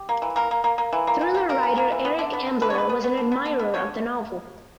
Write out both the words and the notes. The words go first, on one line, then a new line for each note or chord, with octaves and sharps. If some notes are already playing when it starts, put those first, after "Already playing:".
Thriller writer Eric Ambler was an admirer of the novel.
Already playing: G4
A#3
E3
A#3 A#4
A#3
A#3
A#3
E3
A#3
E3
A#3
A#3 A#4
E3
A#3
E3
B3
D3
B3
D3
D3 B4
C#5
B3 B4
B3
B3
D3
B3
D3
B3
D3 C#5